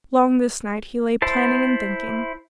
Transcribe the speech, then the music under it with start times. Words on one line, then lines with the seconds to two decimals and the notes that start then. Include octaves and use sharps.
Long this night he lay planning and thinking.
1.22 E4 C5 A5